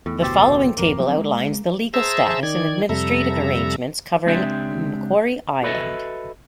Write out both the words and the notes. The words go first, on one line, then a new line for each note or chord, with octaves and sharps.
The following table outlines the legal status and administrative arrangements covering Macquarie Island.
E2 A2
F1 D2 B2 G4 A4 C5
G#1 F2 A#3
F3 F#3 C4
G#3
G#4 C5 E5 A5 A#5 E6
D#3 D5 G#6
F2 C3 G3 A4 E5 A#5
C#2 G#3 C4 D4 G4 E5
F#4 A4 B4 C#5 D#5 E5